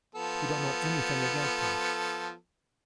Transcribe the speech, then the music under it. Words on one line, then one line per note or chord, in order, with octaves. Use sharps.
"We don't know anything against him!"
F3 B3 A4